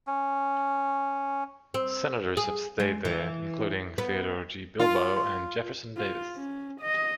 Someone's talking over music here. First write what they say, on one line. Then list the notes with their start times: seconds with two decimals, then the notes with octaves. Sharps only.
Senators have stayed there, including Theodore G. Bilbo and Jefferson Davis.
0.07 C#4
1.74 C4
2.37 G#4
2.80 G#3
3.05 E3
3.98 B3
4.80 F4
5.17 C6
5.98 F4
6.36 C#4
6.81 D#5